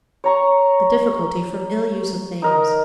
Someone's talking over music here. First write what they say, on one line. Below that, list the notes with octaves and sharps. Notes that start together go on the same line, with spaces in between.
The Difficulty from ill Use of Names.
C#5 A#5 C#6
D#4 A#4 D#5